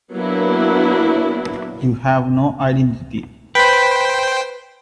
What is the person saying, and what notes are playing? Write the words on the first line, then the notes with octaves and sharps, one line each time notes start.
You have no identity.
F#3 A#3 B3 D4 E4
B4 C5 G5